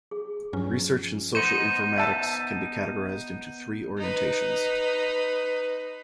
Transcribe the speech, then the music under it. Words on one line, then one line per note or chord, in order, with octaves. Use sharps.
Research in social informatics can be categorized into three orientations.
G#4
G2 F3 F#3 C#4
B3 D#4 C5 G6 D#7
E5 A5
D#4 B4